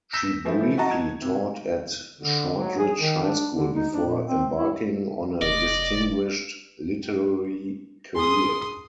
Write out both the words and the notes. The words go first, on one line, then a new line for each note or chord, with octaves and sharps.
She briefly taught at Shortridge High School before embarking on a distinguished literary career.
E6 G6 A#6 B6 E7
E3 F3 A3 E4
F#4 D#5 F#5 A5 A#5
G#6
C3
D3
F#3
G#4
D#3
D4
D3
D#4
D4
A#2
C4
E4
F1 D5 D#5
G#4 C6 D#6